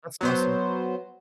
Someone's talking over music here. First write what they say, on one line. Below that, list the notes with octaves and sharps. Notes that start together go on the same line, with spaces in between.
That's awesome.
F#3 B3 C5